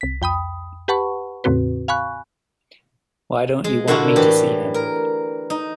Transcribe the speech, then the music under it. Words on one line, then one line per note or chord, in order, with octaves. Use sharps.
Why don't you want me to see him?
C2 B6
F2 G5 B5 D#6
G4 B4 F#5 A5 B5 C#6
E2 A2 C#3 C4 F#4 B4
F5 G#5 B5 C#6 F#6
G#3
A#2 D3 D4 E4 F#4
A2 E3 G4
A#4
D#4